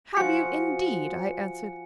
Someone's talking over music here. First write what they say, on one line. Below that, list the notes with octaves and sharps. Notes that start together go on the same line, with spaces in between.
'Have you, indeed?' I answered.
F3 F#4 G#5 C#7